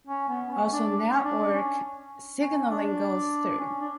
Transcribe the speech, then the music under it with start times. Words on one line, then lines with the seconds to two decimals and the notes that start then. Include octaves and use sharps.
Also network signaling goes through.
0.07 C#4
0.29 B3
0.51 C#4
0.73 D4
1.15 C#4
1.24 D4
1.53 C#4
2.41 C#4
2.70 D4
3.59 C#4
3.81 D4